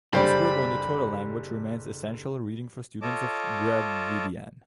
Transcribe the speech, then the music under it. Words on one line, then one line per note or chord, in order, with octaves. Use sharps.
His work on the Toda language remains essential reading for students of Dravidian.
F#1 D3 G3 G4 C5 D5 B5
F4 A4 C#5 D#5 A5 D6